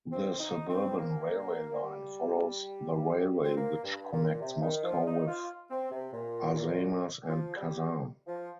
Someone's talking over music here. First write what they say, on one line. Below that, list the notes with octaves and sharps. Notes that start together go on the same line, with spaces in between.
The suburban railway line follows the railway which connects Moscow with Arzamas and Kazan.
C4
D#4
C4
G3
A#3
G3
C4
A#3
G2
A#2
C3
D#3
F3
D#4
F4
C4
C3
A#2
F3
G3
F3